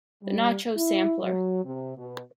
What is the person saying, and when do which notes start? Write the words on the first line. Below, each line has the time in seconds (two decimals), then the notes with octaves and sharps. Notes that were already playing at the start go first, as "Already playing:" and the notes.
The Nacho Sampler.
0.23 G3
0.76 E4
1.22 F#3
1.64 C3
1.97 B2